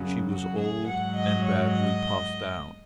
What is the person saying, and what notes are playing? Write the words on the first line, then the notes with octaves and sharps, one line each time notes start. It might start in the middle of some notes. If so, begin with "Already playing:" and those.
She was old and badly puffed out.
Already playing: F#2 C#3 F#3
F#4
G#4
G#2 F#3 F#5
D#5
C#5
D#5